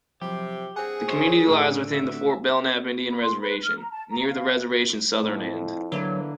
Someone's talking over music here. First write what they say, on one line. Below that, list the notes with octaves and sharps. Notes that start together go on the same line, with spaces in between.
The community lies within the Fort Belknap Indian Reservation, near the reservation's southern end.
C3 F3 F#3 G4
G2 C4 G#4 F#5 G#5
F#2 C5 C#5
A2 D3 A3
F#4 E5
B5
C6
B4
F6
A#5
A5
A#5
F5
F2 A2
D3 E3 F#3 A#3 B3